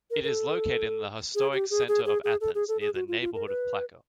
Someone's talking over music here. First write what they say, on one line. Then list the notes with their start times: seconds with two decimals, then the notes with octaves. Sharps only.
It is located in the historic center of Athens, near the neighborhood of Plaka.
0.11 A#4
0.24 A#4
0.28 A4
1.35 G#4
1.53 G4
1.70 G#4
1.88 G#4
2.06 G#4
2.24 G#4
2.41 A4
2.55 G#4
2.68 A4
2.81 G#4
2.95 F#4
3.08 F4
3.21 F4
3.35 A#4
3.47 B4